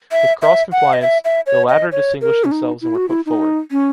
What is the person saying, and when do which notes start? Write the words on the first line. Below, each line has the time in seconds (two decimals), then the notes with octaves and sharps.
With cross-compliance, the latter distinguished themselves and were put forward.
0.12 E5
0.42 E5
0.72 F#5
0.93 D#5
1.02 E5
1.25 E5
1.47 C#5
1.69 D#5
1.92 C#5
2.21 A#4
2.45 C#4
2.52 D#4
2.82 E4
2.95 F#4
3.09 E4
3.26 D#4
3.71 C#4